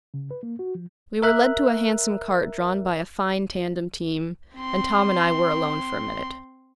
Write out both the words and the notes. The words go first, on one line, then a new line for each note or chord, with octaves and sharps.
We were led to a handsome cart drawn by a fine tandem team, and Tom and I were alone for a minute.
C#3
B4
A#3
F#4
F3
A#4 E5 F#6
C4 C6